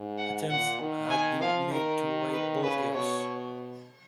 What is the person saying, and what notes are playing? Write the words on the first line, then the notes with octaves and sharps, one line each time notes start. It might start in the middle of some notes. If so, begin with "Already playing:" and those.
Attempts had been made to rape both girls.
Already playing: G#2
F#5
A#2 F#5
D#3
G#5
F3 F5
D#3 A#4
B4
C#3 B4
B2 C#5